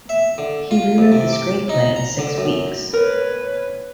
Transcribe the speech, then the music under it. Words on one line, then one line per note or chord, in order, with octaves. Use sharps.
He rewrote the screenplay in six weeks.
E5
D3
F4
F2
C3
D6
D#4
A#5
D3
F#2
A#4 B4 C#5